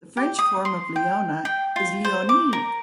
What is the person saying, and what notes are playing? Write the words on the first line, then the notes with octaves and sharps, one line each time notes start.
The French form of Leona is Leonie.
G4
D#6
C6
G5
G5
F4
C5
D6
A#4